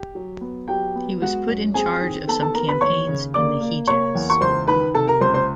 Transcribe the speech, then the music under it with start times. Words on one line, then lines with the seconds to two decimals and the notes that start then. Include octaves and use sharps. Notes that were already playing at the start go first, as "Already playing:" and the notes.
He was put in charge of some campaigns in the Hejaz.
Already playing: G4
0.15 F#3
0.41 B3
0.68 F#3 G4 G5
0.95 B3
1.21 G#3 F#4 F#5
1.49 F#2
1.74 C4 G#4 G#5
2.01 D#3
2.28 B3 A4 A5
2.41 A4 A5
2.54 B3 A#4 A#5
2.69 B4 B5
2.81 D#2 C#5 C#6
3.08 C#3
3.34 A#3 D5 D6
3.61 A#3
3.87 A#3 C#5 C#6
4.15 E2
4.30 C#6
4.41 C#2 C5 C6
4.67 D#3 B4 B5
4.94 C3 A4 A5
5.07 A#4 A#5
5.21 C#2 C5 C6
5.34 C5 C6